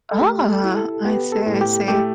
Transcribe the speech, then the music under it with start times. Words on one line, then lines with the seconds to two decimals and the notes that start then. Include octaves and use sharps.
Oh, I see, I see.
0.11 A4
0.21 A3 G4
0.49 A4
0.63 E4
0.76 A4
1.05 B3 G4
1.32 A4
1.46 A2
1.61 G4
1.88 A3 G4